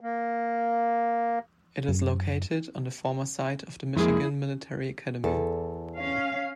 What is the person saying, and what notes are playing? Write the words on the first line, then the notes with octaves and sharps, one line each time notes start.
It is located on the former site of the Michigan Military Academy.
A#3
F#2
F2 G#3 A#3 E4 G#4
E2 A4
C#4 F5